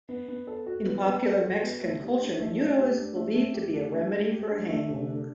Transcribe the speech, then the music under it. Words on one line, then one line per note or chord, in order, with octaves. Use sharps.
In popular Mexican culture, Menudo is believed to be a remedy for hangover.
B3
B3
A4
F#4
B3
B3
A4
F#4
B3
A3
G4
D4
A3
A3
G4
D4
A3
A3
G4
D4
A3
A3
G4
D4
A3
C3
D4